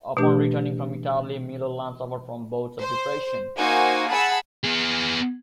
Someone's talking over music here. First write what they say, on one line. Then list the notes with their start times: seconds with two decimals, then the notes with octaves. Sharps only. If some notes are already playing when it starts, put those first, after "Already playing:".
Upon returning from Italy, Milholland suffered from bouts of depression.
0.17 B2 E3 A3 D4 G4
2.80 C5
3.57 A#3 D#4 F#4 C5 G#5
4.10 G#4 F#5 A5 B5 E6
4.64 B3 G#4